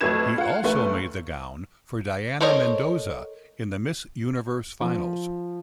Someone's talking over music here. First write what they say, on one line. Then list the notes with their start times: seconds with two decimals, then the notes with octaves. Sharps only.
He also made the gown for Dayana Mendoza in the Miss Universe finals.
0.01 F2 F#3 A3 B4 G#6 E7
0.38 F4 F#5
0.64 F1 A3 B4
2.41 A4 A#4 C5 C#5 D#5
4.81 F3